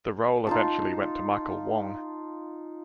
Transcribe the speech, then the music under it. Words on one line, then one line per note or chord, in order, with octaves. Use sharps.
The role eventually went to Michael Wong.
D#4 F4 A5